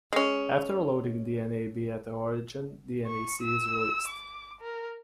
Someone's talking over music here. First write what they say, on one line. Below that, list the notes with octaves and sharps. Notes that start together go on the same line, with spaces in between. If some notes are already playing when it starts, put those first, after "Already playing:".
After loading dnaB at the origin, dnaC is released.
G#3 C#4
C#6
E6
D6
A#4